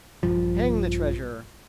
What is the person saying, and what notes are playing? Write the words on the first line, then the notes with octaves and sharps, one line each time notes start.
Hang the treasure!
A#1 G2 F3